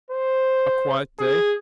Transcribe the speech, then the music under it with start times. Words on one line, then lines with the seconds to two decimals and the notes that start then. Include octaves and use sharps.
A quiet day.
0.11 C5
1.19 G#4